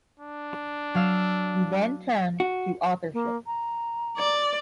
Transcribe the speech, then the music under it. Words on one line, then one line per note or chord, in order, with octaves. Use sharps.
He then turned to authorship.
D4
F#3 F5 E6
F#4
A#3
A#5
D5